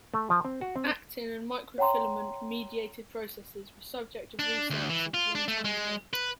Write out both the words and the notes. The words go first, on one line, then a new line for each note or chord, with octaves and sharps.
Actin and microfilament-mediated processes were subject of research since long time ago.
A3
F3
C4
F#4
C4
C#5 F#5 G5 A#5 C6
D4
D2
E3
F4
D4
A3
G#3
B4